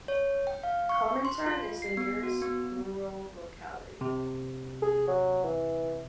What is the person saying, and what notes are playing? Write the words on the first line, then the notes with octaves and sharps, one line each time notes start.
Komintern is the nearest rural locality.
C#5
G5
F5
C#6
C6
F4
C7
B3
F#4
B3
C3
G#4
F#3
E3